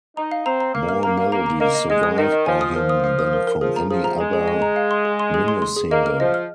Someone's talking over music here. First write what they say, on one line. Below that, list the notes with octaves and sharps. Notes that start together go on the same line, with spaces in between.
More melodies survive by him than from any other minnesinger.
D#4 A#5
F5
C4 A#5
A#5
A#3 F5
F6
A#3 A#5
F5
A#3 A#5
A#5
A#3 D#5
D#5
G#3 D#5
D#6
D#3 D#5
D#5
F3 G#5
D#6
F3 A#4
D#6
F5
D#6
A#4
A#4
F3 G#4
A#5
F3 G#4
A#5
G#3 G#4
G#4
D#5
A#5
F5
C6
G#4
C6
G#4
C6
C6
G#4
A#3 D#5
F6
F3 D#5
F6